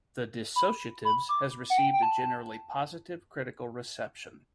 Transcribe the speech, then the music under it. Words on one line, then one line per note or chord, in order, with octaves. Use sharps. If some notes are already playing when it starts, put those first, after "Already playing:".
"The Dissociatives" has received a generally positive critical reception.
B5
B5
D6
F#5
G5
G5
A5